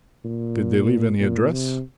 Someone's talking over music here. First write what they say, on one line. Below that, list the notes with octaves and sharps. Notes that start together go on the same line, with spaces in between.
"Did they leave any address?"
A#2
A#2
C3